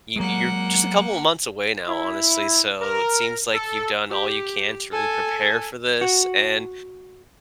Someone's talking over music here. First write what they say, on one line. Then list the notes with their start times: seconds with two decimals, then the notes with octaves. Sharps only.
you you're just a couple of months away now, honestly so it seems like you've done all you can to really prepare for this and
0.16 F#3 G#3 A#3 F#5
1.88 E4
2.81 A#4
3.53 A4
4.10 G4
4.92 A4 G#5
6.01 F#4